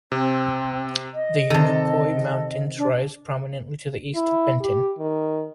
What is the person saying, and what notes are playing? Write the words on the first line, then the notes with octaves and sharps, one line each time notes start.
The Unicoi Mountains rise prominently to the east of Benton.
C3 C4
D#5
C3 D#3 A4 A5
D4
E4
G4
D#3